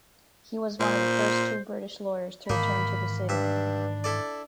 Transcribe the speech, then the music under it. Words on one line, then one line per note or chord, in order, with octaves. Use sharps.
He was one of first two British lawyers to return to the city.
A#2 C5
G#2 D#3 E3 A#3 D#4 A#4 B5
G2 D4 E5
E4 A4 D5